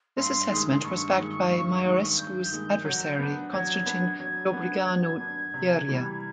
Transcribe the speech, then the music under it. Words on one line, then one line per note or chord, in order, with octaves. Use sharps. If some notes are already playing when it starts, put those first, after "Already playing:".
This assessment was backed by Maiorescu's adversary, Constantin Dobrogeanu-Gherea.
G2 C6
D#3 G#3
G2 C#6
D#3 G#3
G2
D#3 G#3
G2 G6
D#3 G#3
F#3
B3 D4
F#3 G#6
B3 D4
F#3 G#6
B3 D4
F#3
B3 D4
C3
E3 G3